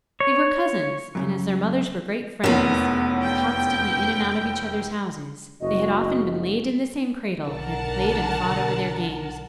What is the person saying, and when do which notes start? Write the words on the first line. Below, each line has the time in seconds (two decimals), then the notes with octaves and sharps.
They were cousins, and as their mothers were great friends, and constantly in and out of each other's houses, they had often been laid in the same cradle, and had played and fought over their games.
0.20 C#5
1.15 F#2 A#2 C#3
2.44 F1 E2 A#3 B3 C#4
3.23 G5
5.61 F#1 F#4 D#5
7.46 B1 D3 A#4 F#5 A5